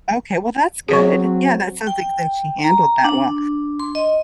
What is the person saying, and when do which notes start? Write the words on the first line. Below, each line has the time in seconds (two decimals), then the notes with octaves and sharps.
Okay, well, that's good. Yeah, that sounds like that she handled that well,
0.89 F#3 C4 G#4 C#5 C#6
1.87 G5
2.64 A#5
3.04 D4
3.80 C6
3.95 D#5